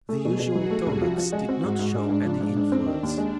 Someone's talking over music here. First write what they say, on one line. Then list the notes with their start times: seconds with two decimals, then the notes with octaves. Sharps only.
The usual tonics did not show any influence.
0.09 A3 G#4
0.25 B2
0.40 B2
0.55 F#3 F#4
0.70 A3
0.86 C2
1.02 F3
1.18 F3
1.32 G#3
1.49 C4
1.64 G#2
1.79 G#2
1.95 G#3 D4
2.10 G#2
2.25 F3
2.40 G#2 D4
2.56 G#2
2.72 C4
2.86 D#3 D4
3.03 D#2
3.18 G#3